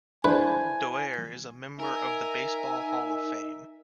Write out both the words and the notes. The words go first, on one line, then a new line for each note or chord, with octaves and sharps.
Doerr is a member of the Baseball Hall of Fame.
D4 E4 B4 C5 G#5
D#4 A#4 E5 G#5